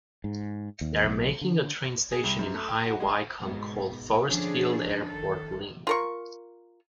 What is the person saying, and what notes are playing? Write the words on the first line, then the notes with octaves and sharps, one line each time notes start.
They are making a train station in High Wycombe called Forrestfield-Airport Link.
G#2
D#2
B1
D3
G#4
C2
F#2
A3
G5
F#4
G#3
G#2 B2
D3 F3 C#4 D4 G#4
D#3 A4
F4 A#4 C#6